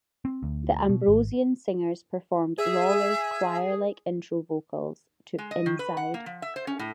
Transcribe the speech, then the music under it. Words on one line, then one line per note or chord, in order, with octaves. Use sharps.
The Ambrosian Singers performed Lawlor's choir-like intro vocals to "Inside".
C4
D2
B2
G#1
G#4 E5
G#3
D#5
D#3
B4
F#5
A#3
F3
E5
C5
C#4
A2